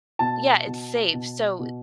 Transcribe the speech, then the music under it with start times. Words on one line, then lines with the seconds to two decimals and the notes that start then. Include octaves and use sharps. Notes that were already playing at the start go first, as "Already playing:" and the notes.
Yeah, It's safe. So,
0.19 B2 A5
0.67 B2
1.13 B2
1.59 B2